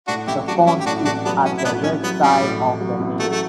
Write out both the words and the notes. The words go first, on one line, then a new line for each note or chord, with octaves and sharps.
The font is at the west side of the nave.
A2 D4 F#4
A1 E4 G4
F#3 D4 F#4
A1 C#4 E4
G4
A2 D4 F#4
A1 D4 F#4
F#3 B3 D4
A1 C#4
E4
A2 B3 D4
A1 C#4
F#3 B3
A1 G3
A2
A1
F#3
A1
F#3 A3
A3